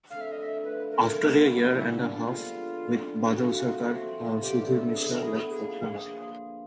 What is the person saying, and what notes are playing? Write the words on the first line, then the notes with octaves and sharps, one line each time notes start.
After a year and a half with Badal Sircar, Sudhir Mishra left for Pune.
D3 F3 A3 C4 F5
E5
D#5
E5
D3 F3 A3 C4 B4
A#4
A#2 G3 B3
A#2 G3 B3 E4
D#4
D4
D4
D3 F3 G#3 F4
D3 F3 G#3
F3 A3 C4 F4 F#4
F3 A3 C4 F4
D3 F#3 B3 E4 G4
A4
A4
D3 F#3 B3 E4 G#4
A#4
G#4
F3 A#3 D4 F4 G#4
F3 A#3 D4 F4